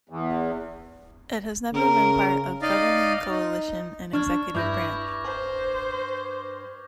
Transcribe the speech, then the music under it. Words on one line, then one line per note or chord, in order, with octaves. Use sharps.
It has never been part of governing coalition in executive branch.
E2
C#3 A#4
D#4 D5 D#5 F5
D#4
D4 C#6 F6 G#6
G2 E4 D6 G6 A#6
C5